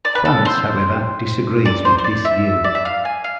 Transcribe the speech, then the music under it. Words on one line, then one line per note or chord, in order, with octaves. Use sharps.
France, however, disagrees with this view.
D5
B4
A4
C5
D5
C5
C5
D5
E5
D5
E5
F5
G#5
F5